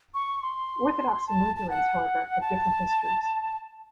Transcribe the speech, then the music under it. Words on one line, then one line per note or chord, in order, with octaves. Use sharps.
Orthodox and Lutherans, however, have different histories.
C#6
C6
A5
A5
F#5
A5